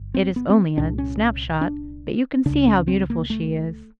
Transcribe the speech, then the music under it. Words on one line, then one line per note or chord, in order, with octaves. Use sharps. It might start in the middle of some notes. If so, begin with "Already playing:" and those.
It is only a snap shot, but you can see how beautiful she is.
Already playing: G1
C4
B3
C4
C2 A#2 D4
C#4
D4
C#2 C#3 D4
C#4
C4
A#3
A3